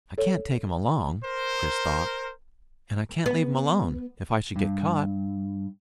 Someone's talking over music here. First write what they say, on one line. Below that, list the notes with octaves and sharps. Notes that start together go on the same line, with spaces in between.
I can't take him along, Chris thought, and I can't leave him alone, if I should get caught.
A4 C#5
A#4 C5
B3
G2